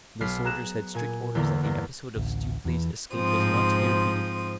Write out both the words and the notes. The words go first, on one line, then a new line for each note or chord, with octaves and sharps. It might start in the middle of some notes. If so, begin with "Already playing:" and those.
The soldiers had strict orders that the episode of Stuteley's escape was not to be repeated.
B1 F6 B6 C7
G#4 A#5 F#6 E7
A#2 G#5
E2 D3 A#3
E2 G2 A#3
A1 D2
E2 E3
G#2 F3 C4 D#6